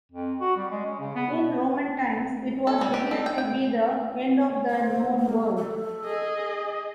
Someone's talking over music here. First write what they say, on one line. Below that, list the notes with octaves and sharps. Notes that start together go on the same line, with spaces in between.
In Roman times it was believed to be the end of the known world.
F2
F#4
G3
G#3
C#4
C#3
B3
B2
A4
G3
G4
A4
G5
G5
C5
A#3
A4
G#4 D#5